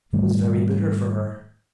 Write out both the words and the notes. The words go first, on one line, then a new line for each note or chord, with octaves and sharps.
It was very bitter for her.
G#2 D#3 G3 A3